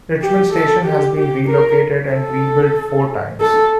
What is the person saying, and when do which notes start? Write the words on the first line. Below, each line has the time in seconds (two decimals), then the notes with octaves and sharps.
Richmond station has been relocated and rebuilt four times.
0.22 G4
0.53 A4
0.85 G4
1.18 G4
1.49 A#4
2.13 A4
3.41 A4